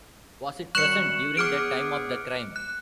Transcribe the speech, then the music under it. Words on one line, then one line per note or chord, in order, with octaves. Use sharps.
Was it present during the time of the crime?
F#2 D#3 G3 C#6 F#6 C#7 E7 F#7
B3 G#4 D6 F6 D7
F#6